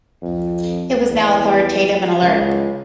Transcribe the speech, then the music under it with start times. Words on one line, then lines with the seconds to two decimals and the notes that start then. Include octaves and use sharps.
It was now authoritative and alert..
0.22 F2
1.09 E2
2.22 C#2